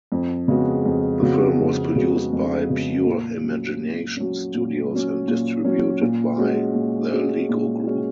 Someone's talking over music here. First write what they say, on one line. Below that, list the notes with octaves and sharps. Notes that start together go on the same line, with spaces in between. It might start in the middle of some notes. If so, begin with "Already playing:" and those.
The film was produced by Pure Imagination Studios and distributed by The Lego Group.
F2
C#3 G#3 B3 F#4
F2
C#3 G#3 B3 F#4
F2
C#3 G#3 B3 F#4
F2
C#3 G#3 B3 F#4
A#2
F#3 C#4
A#2
F#3 C#4
A#2
F#3 C#4
A#2
F#3 C#4
A#2
G#3 C#4 F#4
A#2
G#3 C#4 F#4
A#2
G#3 C#4 F#4